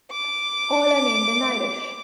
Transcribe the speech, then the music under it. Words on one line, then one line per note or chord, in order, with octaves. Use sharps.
All are named in Irish.
D6